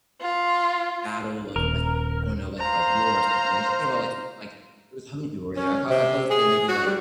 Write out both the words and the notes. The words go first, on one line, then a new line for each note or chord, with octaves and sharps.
battle of, like I don't know, like, a war or something, like, just think about like like it was how many people were there? I prob I'd probably say maybe, like
F4
D#1 A#4
C5 F5 A#5
C#4
C3
G#4
F#4
G3